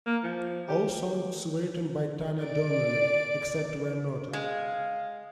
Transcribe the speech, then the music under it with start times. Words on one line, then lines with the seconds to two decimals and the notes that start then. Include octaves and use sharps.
All songs written by Tanya Donelly, except where noted.
0.06 A#3
0.24 F3
0.68 G4
2.43 D5 D7
4.33 G#3 F5